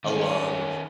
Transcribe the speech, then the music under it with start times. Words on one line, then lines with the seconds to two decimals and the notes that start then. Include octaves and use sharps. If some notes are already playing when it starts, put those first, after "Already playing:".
a lung,
0.04 D#3 C#4